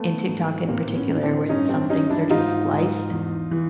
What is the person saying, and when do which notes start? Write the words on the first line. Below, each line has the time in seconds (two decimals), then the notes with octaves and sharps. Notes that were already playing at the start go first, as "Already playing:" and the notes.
in TikTok in particular, where some things are just spliced,
Already playing: A3 B3
0.28 G#2
0.68 A2 A#3 C4
0.95 B3 C#4
1.09 A2
1.23 C4 D4
1.49 G2 C#4 D#4
1.69 C4 D4
1.90 F#3 C#4 D#4
2.09 D4 E4
2.30 G#2 D#4 F4
2.71 G#2
3.11 E2
3.51 E3